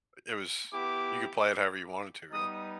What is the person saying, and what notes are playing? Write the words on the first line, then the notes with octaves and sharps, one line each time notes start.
It was you could play it however you wanted to, really.
B3 E4 G4 D6
G3 B3 D#4 D#6